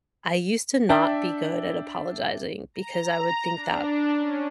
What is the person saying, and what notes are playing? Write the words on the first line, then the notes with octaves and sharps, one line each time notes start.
I used to not be good at apologizing because I would think that
D4 E5 G5
A#5
D4
C#4